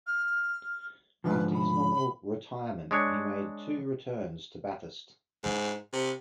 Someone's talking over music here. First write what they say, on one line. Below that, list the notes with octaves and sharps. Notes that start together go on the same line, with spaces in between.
After his nominal 'retirement' he made two returns to Bathurst.
F6
G#2 D3 F3 B4
B5
G#3 D4 C#5
G#2
C3